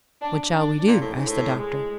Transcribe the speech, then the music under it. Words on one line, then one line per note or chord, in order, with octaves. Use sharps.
"What shall we do?" asked the doctor.
D4
D4
A#2
A2
G#2
A2
G#3